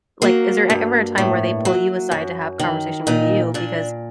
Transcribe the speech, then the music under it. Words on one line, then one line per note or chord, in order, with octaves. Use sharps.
like, is there a ever a time where they pull you aside to have conversation with you? Because
F#3 A#3
G2
A2
F#3
F#2
D#3
A#2 D#4
A#2 D4